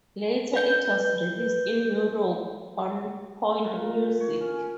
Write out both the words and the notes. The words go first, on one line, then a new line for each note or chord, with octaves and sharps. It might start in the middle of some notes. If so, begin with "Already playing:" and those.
Later, it was released in Europe on Point Music.
B4 G6
A#2
C#5
C#4